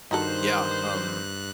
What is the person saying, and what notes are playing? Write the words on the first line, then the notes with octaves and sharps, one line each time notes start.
Yeah. Um,
G2 D#3 D#4 F#4 A4 C5 F#6